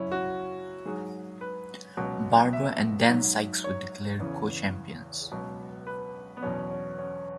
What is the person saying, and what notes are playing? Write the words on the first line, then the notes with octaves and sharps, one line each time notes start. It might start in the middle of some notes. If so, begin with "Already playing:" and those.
Barber and Dan Sikes were declared co-champions.
Already playing: F#2 C#3 F#3 C#4 E4
F#4
G#2 F#3 G#4
B4
C#2 B2 F#3
E5
G#2 F#3
C#5
E2 C#3 E3
C#2 B2 F#3
B4
B3
E2 B2 F#3 C#4
C#4
C#4